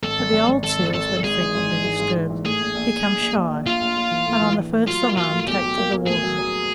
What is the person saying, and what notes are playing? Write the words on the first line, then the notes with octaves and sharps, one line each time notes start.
But the old seals, when frequently disturbed, become shy, and, on the first alarm, take to the water.
G#1 A4
G#1
G#1
G#1
G#1 A4
G#1
G#1 A4
G#2
G#2 G#4
E3
G#2
E3
G#2
G#2
E3
E3
A2 G#4
A#1
A#1
A#1
A#1
A#1
A#1
A#1
A#1 F4
A#1
A#1
E3
A2
E3
A#1
A2
F#3 F4
A#3
F#3 F4
A2
B1 G4
F#3
A#3
B1
A2 G#4
F#3
F#3